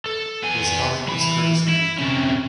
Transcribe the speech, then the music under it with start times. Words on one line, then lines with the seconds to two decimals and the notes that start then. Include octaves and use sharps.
His colleague was Curtis Reid.
0.06 A4
0.43 B3 G#5
1.08 E3 B5
1.69 E4
1.99 C3 C#4